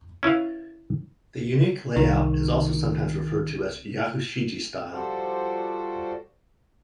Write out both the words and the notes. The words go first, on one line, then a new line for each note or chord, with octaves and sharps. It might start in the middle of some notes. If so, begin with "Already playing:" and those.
The unique layout is also sometimes referred to as "yakushiji-style".
C#4 E4 B4 F5
C2 D#3
F3 G3 F#4 A4 C5 D5